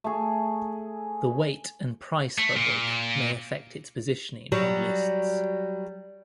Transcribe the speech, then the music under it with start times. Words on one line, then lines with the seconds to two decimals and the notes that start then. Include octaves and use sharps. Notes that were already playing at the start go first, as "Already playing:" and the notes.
The weight and price of a book may affect its positioning on lists.
0.04 A3 G#4
2.38 A3
2.56 A#2
4.52 F#3 G3